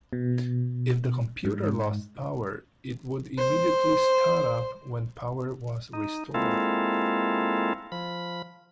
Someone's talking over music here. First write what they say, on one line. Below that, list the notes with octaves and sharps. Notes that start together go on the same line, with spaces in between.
If the computer lost power, it would immediately start up when power was restored.
B2
G#2
C5
D#4
G#3 A#3 C4 E4 F4 A4
F3 B5